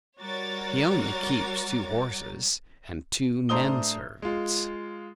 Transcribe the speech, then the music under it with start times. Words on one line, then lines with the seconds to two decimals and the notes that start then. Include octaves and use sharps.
He only keeps two horses and two men-servants.
0.20 G3 F#4 A#4 C#5 D6 A6
3.49 A2 D4 C5 A#5 D#6 G7
4.22 G#3 F4